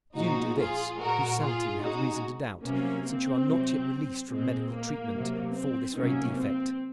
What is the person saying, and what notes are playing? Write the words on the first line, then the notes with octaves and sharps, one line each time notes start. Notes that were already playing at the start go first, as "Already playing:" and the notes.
You do this, whose sanity we have reason to doubt, since you are not yet released from medical treatment for this very defect.
A#2 F3 G#3 D#4 F#4
F4 G#4
A#2 G#3 F#4 A#4
F4 G#4
C#3 G#3 D#4 F#4
C3 F#3 A#3 C#4
C4
C3 F#3
A#2 G#3 C4
A#3
C3 F#3
C4
C3 D#3 F#3 A#3 C#4
C4